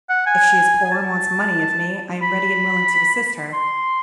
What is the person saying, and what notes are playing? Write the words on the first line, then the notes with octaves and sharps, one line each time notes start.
If she is poor and wants money of me, I am ready and willing to assist her.
F#5
G#5
G#5
A5
B5
C6